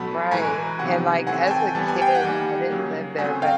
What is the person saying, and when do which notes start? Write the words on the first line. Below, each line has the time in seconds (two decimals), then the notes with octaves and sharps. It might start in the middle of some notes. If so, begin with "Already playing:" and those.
Right, and, like, as a kid, I didn't live there, but
Already playing: B2 F#3 A3 A5 B5
0.31 A2 E3 G#3 G#5 A#5
0.79 C3 D#3 F#3 B3 F#5 G#5
1.27 E3 A3 C4 F#5 G#5
1.47 G#5
1.51 G5 A5
1.75 E3 G3 B3 A5
1.88 G#5
2.02 G5
2.15 F#5 G#5
2.23 D#3 G3 A#3
2.70 C#3 F#3 A#3
3.18 C#3 F#3 A3 C4 F#5 G#5
3.42 F5 G5